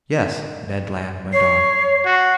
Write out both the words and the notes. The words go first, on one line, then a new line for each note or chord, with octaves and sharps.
"Yes," Ned Land went on.
C#5 C7
F#4